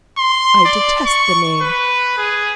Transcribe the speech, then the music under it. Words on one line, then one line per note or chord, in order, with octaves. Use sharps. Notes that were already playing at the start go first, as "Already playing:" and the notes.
I detest the name!
C6
D5
C#6
B4
G#4